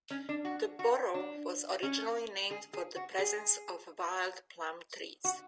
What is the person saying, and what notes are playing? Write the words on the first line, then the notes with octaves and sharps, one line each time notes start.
The borough was originally named for the presence of wild plum trees.
C#4
D4
F#4
F#4
D4
C#4
G#4
G#4
F#4
G#4
F#4